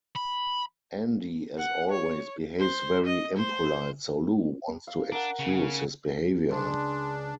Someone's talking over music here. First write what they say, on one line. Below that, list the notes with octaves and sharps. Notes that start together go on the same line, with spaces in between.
Andy, as always, behaves very impolite, so Lou wants to excuse his behaviour.
B5
F#5
C#5
C5
D#5
C5
F5
D4 A#4 F#5
C#3
C#2 D4 G#4 C6